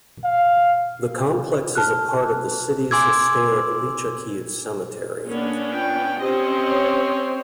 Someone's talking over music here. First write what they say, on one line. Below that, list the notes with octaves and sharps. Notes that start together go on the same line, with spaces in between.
The complex is a part of the city's historic Lychakiv Cemetery.
F5
A5 F6 F#6
G#5 C6 D6 E6 G#6
A#3 B3 C#4 D4
F4 G5
C4 C#4 G4 C5 D#5
C#5